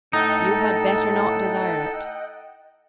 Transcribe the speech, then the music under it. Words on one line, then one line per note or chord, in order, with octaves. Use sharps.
"You had better not desire it."
A2 D#4 A4 D#5 F#5 G5